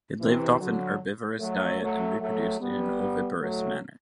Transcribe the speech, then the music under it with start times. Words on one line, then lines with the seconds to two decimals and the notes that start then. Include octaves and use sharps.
It lived off a herbivorous diet and reproduced in an oviparous manner.
0.21 C3 E3
0.60 D3 F#3
1.40 F#3 A3
1.81 F#3 A3
2.20 F#3 A3
2.59 G3 B3
3.40 F#3 A3